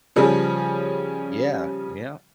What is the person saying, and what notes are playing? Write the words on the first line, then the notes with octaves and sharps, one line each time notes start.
Yeah. Yep.
C#3 F3 G3 C#4